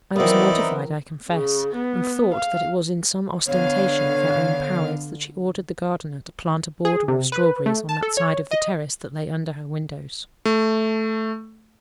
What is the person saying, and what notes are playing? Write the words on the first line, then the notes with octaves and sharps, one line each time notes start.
I was mortified, I confess, and thought that it was in some ostentation of her own powers that she ordered the gardener to plant a border of strawberries on that side of the terrace that lay under her windows.
E3 F#3 B3 C4 D#4 E4 A#4 D5
C#3
B3
F5
D3 B3 C#5 F5
G#4
C3
B4
A3
A5
A4
C#5
D#5
A3